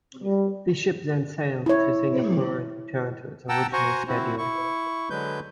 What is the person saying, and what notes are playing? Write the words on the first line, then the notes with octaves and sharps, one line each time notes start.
The ship then sailed to Singapore and returned to its original schedule.
G3
E4 C#5
F#5 G5 A5 A#5 E6
F#4 C5 F#5 G#5 A#5 C#6
C4 E4 F#4
E4 C#6
D3 F#3 G#3 B4 G6